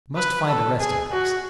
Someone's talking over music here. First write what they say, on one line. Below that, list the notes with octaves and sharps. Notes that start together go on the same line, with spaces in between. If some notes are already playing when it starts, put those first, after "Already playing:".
I must find a resting place.
B4
A4
G#4
F#4